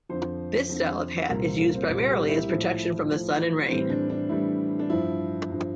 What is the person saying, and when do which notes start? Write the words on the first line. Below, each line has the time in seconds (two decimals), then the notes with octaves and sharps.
This style of hat is used primarily as protection from the sun and rain.
0.09 F2 D3 F3 C5
0.69 F2 D3 F3
1.29 C2 A#2 G3 A#4
1.44 C4
1.60 A#3
1.75 C4
1.89 C2 A#2 G3
2.10 G4
2.29 E4
2.49 A2 F3
3.10 A2 F3
3.69 A2 E3 G3 C4
3.90 D4
4.10 D4
4.29 A2 E3 G3 E4
4.79 D4
4.90 G2 F3 E4
5.50 G2 F3